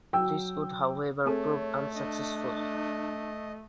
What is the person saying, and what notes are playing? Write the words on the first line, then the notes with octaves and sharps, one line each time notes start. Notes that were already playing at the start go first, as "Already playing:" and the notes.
This would however prove unsuccessful.
F#3 G5 E6
A3 C4 G#4 A4 C#5
D4 D#5